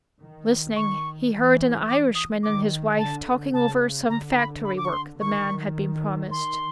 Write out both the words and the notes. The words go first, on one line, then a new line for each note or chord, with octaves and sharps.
Listening, he heard an Irishman and his wife talking over some factory work the man had been promised.
D#3
D#3 C#6
E3
D6
D#6
D#3 D6
D3 A5
C#3 A5
D3 A#5
A#5
B5
B5
D6
C#6
C6
D#3 C#6
C6